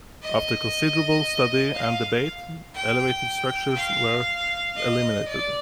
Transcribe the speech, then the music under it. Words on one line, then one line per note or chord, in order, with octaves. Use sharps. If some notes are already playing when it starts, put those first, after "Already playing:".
After considerable study and debate, elevated structures were eliminated.
D#5
F5
G5
F5
D#5
D5